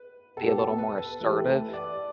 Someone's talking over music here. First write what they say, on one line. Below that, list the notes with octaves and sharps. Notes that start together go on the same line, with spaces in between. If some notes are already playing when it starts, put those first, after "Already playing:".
Be a little more assertive
Already playing: B4
B2 B3 G4 A4
A4
B4
B4
E3 A3 G4 B4
B4
D5